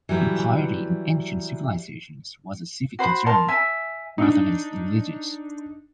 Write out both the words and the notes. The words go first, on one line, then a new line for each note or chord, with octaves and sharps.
Impiety in ancient civilizations was a civic concern, rather than religious.
E3 F#3 G3 B4
F#4 C5 B5
A#4 A5 C6
E5 G#5
D4 D#4